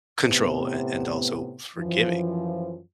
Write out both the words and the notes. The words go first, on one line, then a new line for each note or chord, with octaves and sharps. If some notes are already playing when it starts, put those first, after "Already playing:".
control an and also forgiving.
A2 C3 B3
F#2 E3 F3